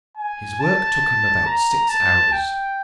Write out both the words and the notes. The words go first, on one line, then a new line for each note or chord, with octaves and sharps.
His work took him about six hours.
G#5
A5
A#5
A5
G5